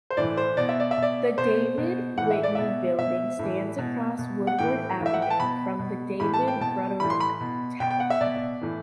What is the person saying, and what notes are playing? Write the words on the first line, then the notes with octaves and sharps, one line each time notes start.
The David Whitney Building stands across Woodward Avenue from the David Broderick Tower.
C5
A2 E3 D5
C5
B2 D5
E5
D5
E5
B2 D5
B2 C5
B2
A2 E3 F#5
E5
D5
B2 E5
B2 E5
A2 E3
B2
B2
F#5
A2 E3 G5
A2 E3
E5
F#5
G5
A5
B2 B5
B2
A2 E3 B5
A5
G5
B2 A5
A2 E3 B5
C6
B5
B2
B2 G5
G5
F#5
E5
B2 D5
A2 E3